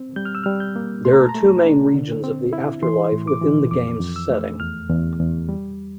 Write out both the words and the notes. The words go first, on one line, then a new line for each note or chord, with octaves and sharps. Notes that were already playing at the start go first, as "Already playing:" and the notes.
There are two main regions of the afterlife within the game's setting.
Already playing: C4
G3 G6
F6
E6
G3 F6
G6
A#3
A3 C6
A#5
A5
A#5
A3
D4
D3
C4
E4
E3 C6
A2
D6
E3
F2 D6
F2
E6
A3
E2 F6
E2
E2
G3